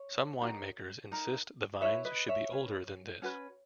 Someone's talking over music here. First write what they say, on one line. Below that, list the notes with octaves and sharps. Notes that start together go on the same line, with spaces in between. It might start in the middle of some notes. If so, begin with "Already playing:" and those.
Some wine makers insist the vines should be older than this.
Already playing: C#5
D#4 F#4 A#4
D#4 A#4
E4 B4 C#5 E5
B4 D#5
C#5 E5
C#4 G#4 B4
C#4 F#4 B4